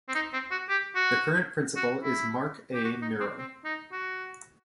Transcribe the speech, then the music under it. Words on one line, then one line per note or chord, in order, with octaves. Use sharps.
The current principal is Mark A. Murrell.
C4
D#4
C4
F#4
G4
F#4
F#4
E4
G4
F#4
D#4
C4
C4
D#4
F#4